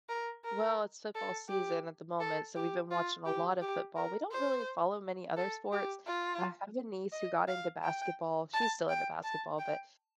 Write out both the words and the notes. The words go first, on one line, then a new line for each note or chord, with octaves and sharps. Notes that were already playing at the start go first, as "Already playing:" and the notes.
Well, it's football season at the moment, so we've been watching a lot of football. We don't really follow many other sports. I have a niece who got into basketball. She's still into basketball, but
A#4
A#4
A4
G4
A4
G4
F4
G4
G4
A#4
C5
A4
G4
F4
D#5
F5
G5
A5
G5
A5
G5